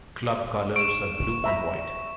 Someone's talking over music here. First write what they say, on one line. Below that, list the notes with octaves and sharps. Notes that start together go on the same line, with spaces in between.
Club colours are blue and white.
C#6 D7 E7
E5 A#5 B5